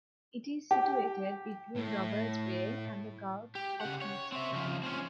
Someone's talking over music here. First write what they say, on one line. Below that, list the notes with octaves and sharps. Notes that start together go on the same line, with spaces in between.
It is situated between Roberts Bay and the Gulf of Mexico.
G4
A2 E4
G4
C#3 F#5
C#5
C4 E5
C#3 F3
C4 C#4